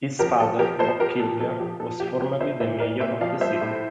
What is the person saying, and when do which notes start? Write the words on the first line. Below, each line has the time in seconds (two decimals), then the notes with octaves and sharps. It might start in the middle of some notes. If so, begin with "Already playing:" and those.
His father, Bob Kilger, was formerly the mayor of the city.
0.19 F3 G4 A#4
0.39 F3 A4
0.59 F3 G4 A#4
0.79 F3 A4 C5
0.99 F3 G4 A#4
1.20 A#2 A4
1.39 F3 A4
1.60 F3 G4
1.80 A#2 A4
1.99 F3 G4
2.20 F3 G4
2.40 F3 C5 E5
2.60 A#2 C5 E5
2.80 A#2 A#4 D5
3.00 A#2 C5 E5
3.21 F3 D5 F5
3.40 G3 C5 E5
3.61 A2